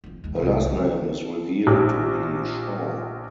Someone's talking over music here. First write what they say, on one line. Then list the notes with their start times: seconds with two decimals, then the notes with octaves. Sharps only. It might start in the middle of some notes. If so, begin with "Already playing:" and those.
Her last name is revealed to be Shaw.
0.04 F2 F3
0.24 D#2 G#3
0.36 C2 A2
0.67 C#3 F3
1.67 A#1 G4